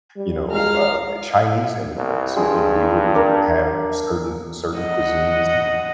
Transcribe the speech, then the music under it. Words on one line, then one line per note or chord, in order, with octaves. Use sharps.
you know, uh, Chinese immigrants, who, you know, we wouldn't have certain certain cuisines,
G3
G#3 F5 A#5 F6
C2
G2 G#3
D4 A#4
D#5 F#5